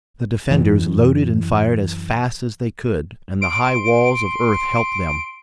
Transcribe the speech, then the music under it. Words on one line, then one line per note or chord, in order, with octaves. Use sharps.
The defenders loaded and fired as fast as they could and the high walls of earth helped them.
F#2 E3
C6 D7